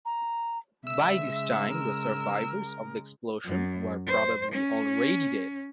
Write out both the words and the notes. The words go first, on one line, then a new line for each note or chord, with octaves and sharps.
By this time the survivors of the explosion were probably already dead.
A#5
C#3 G#3 E5 E6
A#4
F#2
C5
C#4